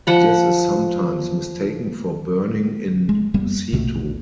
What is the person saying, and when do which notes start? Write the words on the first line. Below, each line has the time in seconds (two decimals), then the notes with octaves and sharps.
This is sometimes mistaken for burning in situ.
0.07 F3 F#5 B5
3.09 G#3
3.34 F2 G3 A#3 B3
3.72 A#1 E2 B2 A3